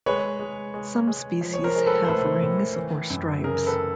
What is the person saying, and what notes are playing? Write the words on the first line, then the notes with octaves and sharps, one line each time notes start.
Some species have rings or stripes.
G#3 B4 C#5
G#3
G#3
G#3
F3
C#5
A#4 C5
G#3
A4 B4
C5
A2 A4 B4
A2
E3
F#2
C#3 G#4 A#4
A4 B4